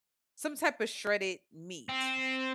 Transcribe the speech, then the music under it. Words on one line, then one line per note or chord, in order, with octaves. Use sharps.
Some type of shredded meat,
C4